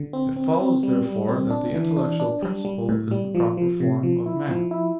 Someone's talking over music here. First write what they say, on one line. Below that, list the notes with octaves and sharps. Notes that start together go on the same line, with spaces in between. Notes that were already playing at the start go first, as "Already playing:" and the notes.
It follows therefore that the intellectual principle is the proper form of man.
Already playing: D3
C4
C4
C4
G3
G3
C4
D4
E3
D4
D4
G3
G3
A2
G3
F3
F3
C3
F3
E4
F3
E4